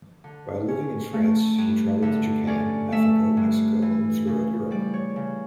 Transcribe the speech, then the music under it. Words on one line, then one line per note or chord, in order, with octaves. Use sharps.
While living in France, he traveled to Japan, Africa, Mexico, and throughout Europe.
D3
C#4
A3
G2
D3 E5
C#4 D5
A3 E5
G2
E3
C#3
G3 D5
C#5
C#3